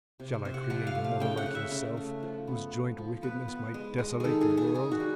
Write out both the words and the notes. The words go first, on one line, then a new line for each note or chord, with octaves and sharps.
Shall I create another like yourself, whose joint wickedness might desolate the world.
C3
C3
F#5
F3 F#5
F5
A3
F5
C#3 G5
F#5
C#3
E5
C#3
A3
F3
B3
B3
F3
B3 B4
B3
G#3
G#3
D#3 G#4 A4
G#4
D#3
G#4
D#3 G#4
F#4
G3